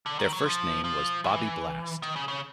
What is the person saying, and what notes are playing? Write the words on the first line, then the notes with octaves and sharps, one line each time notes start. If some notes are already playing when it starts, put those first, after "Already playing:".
Their first name was "Bobby Blast".
D3
D#3
F#3
F3
F3
E3
D#3
C#3
C#3